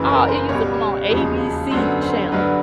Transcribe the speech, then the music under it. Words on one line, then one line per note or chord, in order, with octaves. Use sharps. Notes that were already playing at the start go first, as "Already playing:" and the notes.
uh, it used to come on ABC channel,
Already playing: F#1 F#2 C#3 E3 B4
A#4
C5
C#2 B2 G3 C#5
E1 D#2 C#3 F3 G#3
F#2 D3 F#3 B3 C5
C5
G2 D3 F#3 B4